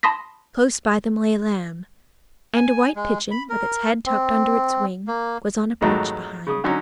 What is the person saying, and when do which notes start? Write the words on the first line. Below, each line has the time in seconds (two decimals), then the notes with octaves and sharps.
Close by them lay a lamb, and a white pigeon, with its head tucked under its wing, was on a perch behind.
0.03 A5 B5 C6 D#6 A#6 B6
2.56 G#5
2.96 G#3
3.31 B5
3.49 A#4
4.06 C4
5.08 A#3
5.81 F2 G#2 D#3 F#3 A3
6.47 C#3 D#6
6.64 D3 F#3 C#4 D#4